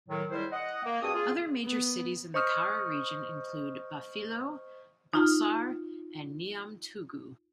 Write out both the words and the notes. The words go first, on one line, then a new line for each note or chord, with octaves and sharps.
Other major cities in the Kara region include Bafilo, Bassar, and Niamtougou.
A2 D#3 F#3
C#2 D#3 G3 E4 C5
D#5 F#5
A#3
G2 C4 F#4 G#4 A5 D#6
F4 G#4
B3
C5 D#5 C#6 D#6 F6
D#4 F4 F6